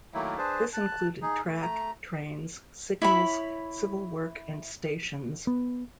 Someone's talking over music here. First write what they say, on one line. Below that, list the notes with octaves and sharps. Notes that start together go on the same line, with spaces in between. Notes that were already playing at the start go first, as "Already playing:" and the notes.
This included track, trains, signals, civil work and stations.
D#3 F#3 A3 A#3 E4
D4 G#4 B4 C5 A5
A5 F#6
D#4 G#4
A3
A3 A#5
E4 C#5 B5
B3